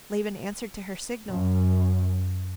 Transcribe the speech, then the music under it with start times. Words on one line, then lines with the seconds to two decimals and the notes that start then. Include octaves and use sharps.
Laban answered to her signal.
1.28 F#2